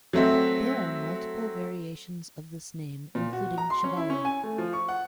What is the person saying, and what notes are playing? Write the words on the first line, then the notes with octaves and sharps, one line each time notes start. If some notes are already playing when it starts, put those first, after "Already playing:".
There are multiple variations of this name, including Chevalier.
F#3 A3 C4 E5
A#2
F#4
A#5
C6
C#4
E4
C#4
G#5
A3
F3
C#6
F#5